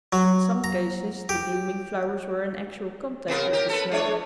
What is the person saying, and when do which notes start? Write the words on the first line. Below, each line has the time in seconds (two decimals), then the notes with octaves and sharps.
In some cases the blooming flowers were in actual contact with the snow.
0.13 F#3
0.64 A#5
1.29 G4
3.28 C3 B3 A#4
3.53 G4 A#4
3.69 A4 B4
3.91 G#3 D4 C#5